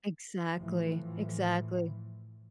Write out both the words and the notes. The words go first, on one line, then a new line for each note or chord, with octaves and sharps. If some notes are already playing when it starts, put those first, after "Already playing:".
Exactly, exactly.
A2 E3 F3